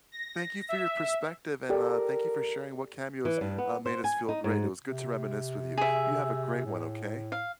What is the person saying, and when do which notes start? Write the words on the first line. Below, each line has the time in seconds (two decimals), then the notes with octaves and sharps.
thank you for your perspective, and, uh, thank you for sharing what cameos, uh, made us feel great. It was good to reminisce with you. You have a great one, okay?
0.12 A#6
0.69 E5
1.70 G4 A4 A#4 D5
3.25 E3
3.41 G2
3.58 B3
3.86 C5
4.04 G#5
4.29 D#4
4.44 G#2
4.84 C3
5.78 G#4 E5
6.66 A2
7.32 F5